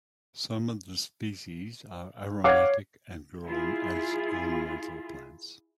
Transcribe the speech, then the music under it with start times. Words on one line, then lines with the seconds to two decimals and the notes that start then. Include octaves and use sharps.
Some of the species are aromatic and grown as ornamental plants.
2.44 C#5 F5 F#5 D6 G#6
3.48 E4 F4 G#4